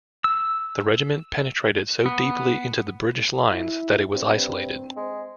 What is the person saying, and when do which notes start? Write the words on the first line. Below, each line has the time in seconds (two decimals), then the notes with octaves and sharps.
The regiment penetrated so deeply into the British lines that it was isolated.
0.24 E6
2.06 B3
3.51 E4
4.14 G2 C4
4.96 G#3